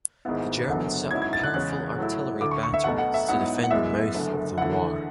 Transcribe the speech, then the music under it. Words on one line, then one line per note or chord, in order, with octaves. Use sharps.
The Germans set up powerful artillery batteries to defend the mouth of the Loire.
G#1 G#2 G#3 B3 E4
F#1 F#2 D3 F#3 B3
G#2 F#3 C#4 E4 G#6
G#6
A6
F#6
E2 C#3 G#3 C#4 F#6
A2 F#3 A3 E4
D2 D3 A3 D6
C#6
C#6
E5
B1 B2 A3 F#5
F#5
E5
G#2 F#3 B3 E4 F#5
F#5
F#2 E3 G#3 B3 E5
F#1 F#2 D3 A3
E2 D3 A3 E4 F#5